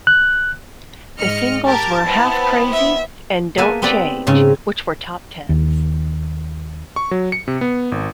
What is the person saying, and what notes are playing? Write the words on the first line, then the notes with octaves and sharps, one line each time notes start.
The singles were "Halfcrazy" and "Dontchange", which were top tens.
F#6
G#2 D#5 F6 C#7
G4 A#4 A5
B3 C4 E4
E5
A#3 B3 A4 B4 E5 G#5
B3 C4 G4 B4 D5
G#2 C#3 C4 C#4
D#2
C#6
F#3
C#7
C3
B3
G#1